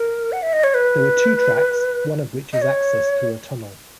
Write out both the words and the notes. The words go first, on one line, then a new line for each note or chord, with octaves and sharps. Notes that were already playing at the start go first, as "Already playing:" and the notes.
There are two tracks, one of which is accessed through a tunnel.
Already playing: A#4
F#5
E5
D#5
C#5
B4
D#5
C#5